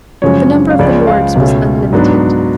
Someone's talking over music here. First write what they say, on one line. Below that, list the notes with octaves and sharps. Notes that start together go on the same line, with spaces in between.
The number of the Lords was unlimited.
F#2 C#3 F3 G#3 C#4 C#5
F5
C#2 C#3 F3 G#3 D5
F5
C#2 B2 A3 C#4
G#2 F#3 B3 D4